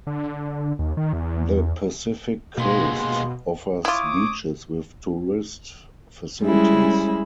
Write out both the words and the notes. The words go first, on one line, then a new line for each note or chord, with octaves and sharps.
The Pacific coast offers beaches with tourist facilities.
D3
D#2
D#3
E2
D#2 B2 G#3 F5 C6
E4 F4 C#5 D6 D#6
G3 G#3 C#4 E4